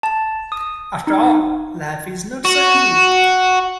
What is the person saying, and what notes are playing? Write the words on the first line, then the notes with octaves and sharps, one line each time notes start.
After all, life is not so easy.
A5
D#6
D#4
F#4